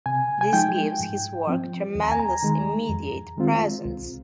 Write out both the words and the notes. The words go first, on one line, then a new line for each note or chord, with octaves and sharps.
This gives his work tremendous immediate presence.
C3 G#5
G#5
F3 G#3 D#4 G5
G#2
F3 C4
D#2
A#5
G#5
A#5
D#3 G#3
F2
D#3 G#3 C4 F4
C2